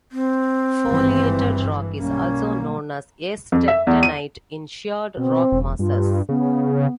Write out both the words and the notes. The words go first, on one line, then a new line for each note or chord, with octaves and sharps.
Foliated rock is also known as S-tectonite in sheared rock masses.
C4
G#1 G2 E3
B1 G3 A#3 C#4
F2
E5
E2
D#7
B2 C4
E1
G2 F4
C#3 B3